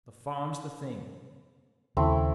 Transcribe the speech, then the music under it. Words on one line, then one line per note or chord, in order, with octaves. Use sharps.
The farm's the thing.
D#2 C#3 A3 C4 E4